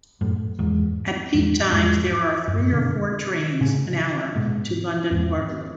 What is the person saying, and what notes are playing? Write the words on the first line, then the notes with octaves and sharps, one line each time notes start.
At peak times there are three or four trains an hour to London Waterloo.
F#2 A2
E2 G#2
E2 G#2
E2 G#2
F#2
F#2
B2 D3
A2 C#3
G#2 B2
E2 G#2